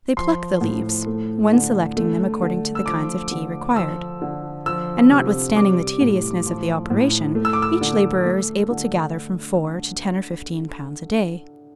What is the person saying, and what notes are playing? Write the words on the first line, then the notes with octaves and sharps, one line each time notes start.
They pluck the leaves, one selecting them according to the kinds of tea required; and, notwithstanding the tediousness of the operation, each labourer is able to gather from four to ten or fifteen pounds a day.
F3 C6
A2
A3
D3
A3
D3
E6
F3 D6
D3
F3 E6
D3
F3 E6
C3
G3 D6
A2
F3
A2
A3
E6
D6
E6
D3
A3
D3